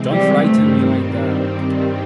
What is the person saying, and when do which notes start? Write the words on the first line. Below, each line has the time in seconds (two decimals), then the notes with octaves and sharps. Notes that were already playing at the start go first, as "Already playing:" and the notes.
Don’t frighten me like that!
Already playing: C3 E3 G#3 C4
0.12 G3
0.42 G2 D#3 G3 A3 C4